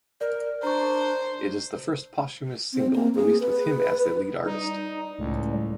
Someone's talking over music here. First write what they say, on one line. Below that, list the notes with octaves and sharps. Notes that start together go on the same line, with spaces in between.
It is the first posthumous single released with him as the lead artist.
A#4 D5
D4 C5 A#5 C#6
C4
A#3
G#4
B4
G3 D#4
C#2 A2